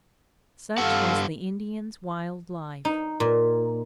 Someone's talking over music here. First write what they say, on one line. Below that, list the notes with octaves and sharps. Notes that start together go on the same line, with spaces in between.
Such was the Indians' wild life!
G2 G4 A4 F5 F#5
D#4
A#2